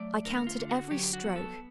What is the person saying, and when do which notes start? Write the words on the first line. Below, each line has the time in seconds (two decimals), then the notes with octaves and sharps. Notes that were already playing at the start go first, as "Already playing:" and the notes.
I counted every stroke.
Already playing: F#3 A3 D5
0.25 D3 A#4
0.47 F4
0.59 D3
0.69 F#4
0.91 F#3 G4
1.13 F#4
1.24 B3
1.36 A4